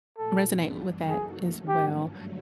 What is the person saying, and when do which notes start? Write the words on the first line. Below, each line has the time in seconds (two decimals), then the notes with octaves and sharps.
resonate with that as well.
0.17 A#2 F3 A3 A4
0.48 G2 E3 G3 B3 D4
0.78 F#2 C#3 E3
1.08 F#3 A#3 D#4 F#4 G#4 A4
1.38 F3 A3 C#4
1.68 G#2 E3 G3 A#3 C#4 G4
1.99 G2 D3 F#3 A3